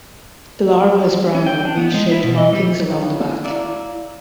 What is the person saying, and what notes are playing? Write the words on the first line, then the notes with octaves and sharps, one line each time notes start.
The larva is brown with v-shaped markings along the back.
C#4
G5
D4
B3
G#3
E4
B2
D#5
G3
C#3 F#3 E4
F#3 A#3 D5 E5